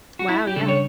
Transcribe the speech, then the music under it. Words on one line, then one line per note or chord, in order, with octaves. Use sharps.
Wow, yeah.
F#4
E4
G4
C#3 G3 D4 A4
C#5